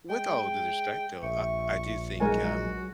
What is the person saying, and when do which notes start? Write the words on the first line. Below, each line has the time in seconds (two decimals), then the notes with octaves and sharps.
with all due respect, though, I I do think, um,
0.09 G#3 G5
1.23 A#1 E5 C#6
2.20 F#3 G#3 F#4 A#4 G#5